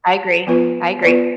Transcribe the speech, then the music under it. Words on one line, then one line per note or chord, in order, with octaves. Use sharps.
I agree, I agree.
F3 B3 F4 B4
B3 F4 B4 D5